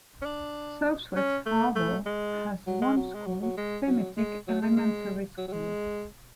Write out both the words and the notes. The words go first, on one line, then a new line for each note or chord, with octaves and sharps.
Southwest Harbor has one school, Pemetic Elementary School.
C#4
D4
C#4
A3
A3
G#3
F#3
G#3
F#3
G#3
F#3
F#3
G#3
F#3
G#3
F#3
G#3
G#3
F#3
F#3
G#3